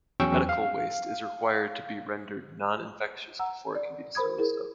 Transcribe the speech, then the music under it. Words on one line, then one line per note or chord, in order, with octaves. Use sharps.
Medical waste is required to be rendered non-infectious before it can be disposed of.
E2 F#3 C#4 G5 C#6 E6
F5
F#5 A#5 E6
D5
A#4 C5 B5 D#6 G#6
E4 G#4 A#4